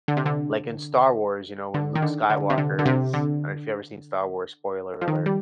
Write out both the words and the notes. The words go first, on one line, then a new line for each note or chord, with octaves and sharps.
like, in Star Wars, you know, when Luke Skywalker is I don't if you ever seen Star Wars, spoiler alert.
D3
C3
D3
D3
D#3
D3
D3
C3
D3
D3
C3
D3
F3
D#3
G3